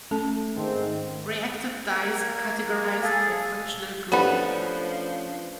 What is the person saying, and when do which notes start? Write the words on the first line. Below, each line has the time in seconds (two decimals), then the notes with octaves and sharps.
Reactive dyes are categorized by functional group.
0.11 A3 C#4 A4 A5
0.56 G#2 D#3 C4
1.89 A#3 G#6
3.03 G#4 A4 F5
4.12 F3 A3 B3 C#4 D4 G4 B4 F#5